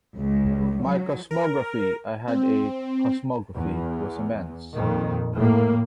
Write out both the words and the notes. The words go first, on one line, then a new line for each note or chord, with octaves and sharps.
My cosmography, I had a cosmography, was immense.
C#2
F#3
A#4
C4
E2
F2 A#2 D#3
A2 A#3